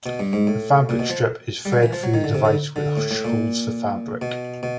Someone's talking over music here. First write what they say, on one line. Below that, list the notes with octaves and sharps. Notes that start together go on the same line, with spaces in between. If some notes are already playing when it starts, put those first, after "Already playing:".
The fabric strip is fed through the device, which folds the fabric.
B2
G2
G#2
A2
A#2
B2
F3
G3
F#3
E3
F3
F#3
D#3
D3
C3
D3
D3
A2
A2
A#2
B2
B2